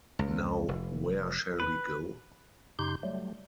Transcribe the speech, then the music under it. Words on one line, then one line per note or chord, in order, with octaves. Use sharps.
Now where shall we go?
C#2
F1
B4
F#2 C#3 D#4 G4 C6 G6
F#3 G3 A3